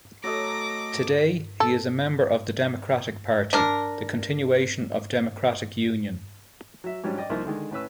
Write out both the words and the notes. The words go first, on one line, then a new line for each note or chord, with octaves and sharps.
Today, he is a member of the Democratic Party, the continuation of Democratic Union.
F#3 A3 A4 D#5 A#5 D6 A#6
A4
D4 A#4
F#3 E5
G#2 F#3 G3 C#4 D4
D5 D#5 G5
C2 F3 A#3 D#4 E5 A#5
D3 D#3 G#3
A2 C#4 B4 E6